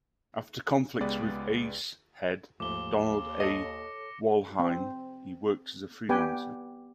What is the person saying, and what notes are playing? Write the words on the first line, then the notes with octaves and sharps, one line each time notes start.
After conflicts with Ace head Donald A. Wollheim, he worked as a freelancer.
C#2 G#3 B3 G4 B4 D5
D#2 G#2 F3 A3 D6 G7
A4 C#5 D#5 A#6 C#7
C4
B3 G4 B4 D5 G5 G#5